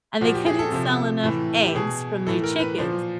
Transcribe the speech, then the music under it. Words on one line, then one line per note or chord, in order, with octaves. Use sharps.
and they couldn't sell enough eggs from their chickens,
A#2 F3 F#4
G4
G#4
A4
C3 F3
A2 E3
G4
B2 G#4
A2 E3 A4
A#4
B4
A#2 F3 C5